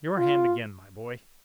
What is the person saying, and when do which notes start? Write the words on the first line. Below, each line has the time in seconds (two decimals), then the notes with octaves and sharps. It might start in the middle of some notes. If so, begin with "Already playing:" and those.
Your hand, again my boy!
0.18 F4